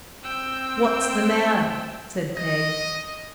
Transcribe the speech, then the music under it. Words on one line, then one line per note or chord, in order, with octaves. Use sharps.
'What's the matter?' said Peg.
C4 G5 E6
D#5